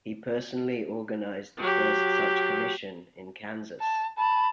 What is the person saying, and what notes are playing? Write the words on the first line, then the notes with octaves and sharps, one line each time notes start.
He personally organized the first such commission, in Kansas.
F#3 G4
A5
A5 B5